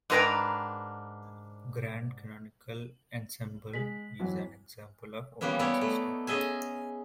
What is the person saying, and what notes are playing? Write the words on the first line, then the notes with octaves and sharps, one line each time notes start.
Grand canonical ensemble is an example of open system.
G#2 D4 A#4 B4 G5 A#5
G#3 B6 F#7
F2 E3 F#3
E3 G3 A#3 B3 C#4
B3 D#4 E4 C#5 D5
A3
C#4 G#4 D#5 E5 G#5